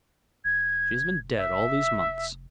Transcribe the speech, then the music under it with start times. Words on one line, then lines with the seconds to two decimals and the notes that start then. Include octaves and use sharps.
She has been dead all these months.
0.45 F1 G#6
1.36 E5